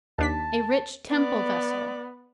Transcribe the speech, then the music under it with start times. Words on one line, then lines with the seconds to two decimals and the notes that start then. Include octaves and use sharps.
A rich temple vessel.
0.18 D#2 D4 A5 B6
1.11 B3 D5